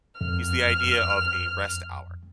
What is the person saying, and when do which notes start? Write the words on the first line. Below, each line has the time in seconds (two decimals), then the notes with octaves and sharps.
is the idea of a rest hour.
0.21 F2 F6